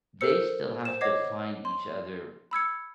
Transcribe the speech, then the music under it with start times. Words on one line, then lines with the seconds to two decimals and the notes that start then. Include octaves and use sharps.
they still have to find each other
0.21 A4 A#4 C5 E6 C#7
0.85 C5 E7
1.01 C#5 D#5 F#5 D6 G#6 C7
1.65 C6
2.51 B5 E6 G#6 C#7